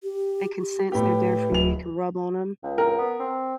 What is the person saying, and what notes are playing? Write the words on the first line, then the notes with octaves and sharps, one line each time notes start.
They can sense they're there for you; you can rub on 'em,
G4
G4
A2 G4 B4
D1 F7
C#2
A#4
B3
C4